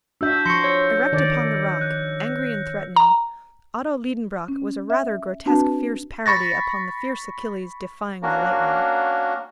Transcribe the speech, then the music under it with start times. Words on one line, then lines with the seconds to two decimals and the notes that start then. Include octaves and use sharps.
Erect upon the rock, angry and threatening, Otto Liedenbrock was a rather grotesque fierce parody upon the fierce Achilles defying the lightning.
0.21 D4 F#4 E5 E6 G6
0.46 F3 C6 C#6 A#6 C#7
0.64 C#5
1.12 D#3 D5
1.81 F#6
2.96 A#5
4.48 C#4
4.90 E5
5.46 C4 D4 F#4 B4 A5
6.26 B5 C#6 A6 A#6
8.23 A#3 C#4 D4 F#4 A#4